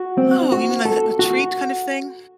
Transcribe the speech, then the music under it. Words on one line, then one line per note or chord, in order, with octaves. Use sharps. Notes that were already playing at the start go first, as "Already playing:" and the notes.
Oh, you mean like a a treat kind of thing?
Already playing: F#4
C4
F#4
A4
F#4